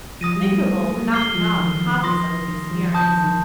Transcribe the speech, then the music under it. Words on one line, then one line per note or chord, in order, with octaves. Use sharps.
Finger-bowls were not beyond the compass of his experience.
F3 D#6 A#6 D#7
G3
A3
A3
A3
A#3
A3 F6 C7 G7
F3
D#3
F3
D#3
F3 C6 D#6 A#6
D#3
F3
F3 A5 D#6 G6
D#3
D#3